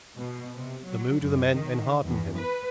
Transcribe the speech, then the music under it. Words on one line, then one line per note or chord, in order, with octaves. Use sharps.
The mood of the men enheartened him.
B2
C3
F#3
F#2
D#3
E2
B4